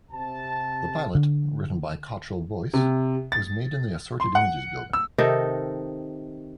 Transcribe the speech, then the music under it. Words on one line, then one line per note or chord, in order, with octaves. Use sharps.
The pilot, written by Cottrell-Boyce, was made in the Assorted Images building.
C3 A5
D3
C3
A6
C6
F#5
E6
C3 D#3 D#4 A4